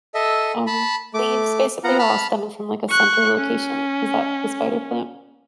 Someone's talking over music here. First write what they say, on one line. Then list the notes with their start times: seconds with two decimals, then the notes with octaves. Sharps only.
um, leaves basically all stemming from, like, a center location. Is that the spider plant?
0.14 A4 D#5 E5
0.67 A5 B5
1.14 A3 D6
1.84 B3 F4 F#5 A#5
1.99 A5 B5 F6
2.90 C#6 F#6
3.38 C#4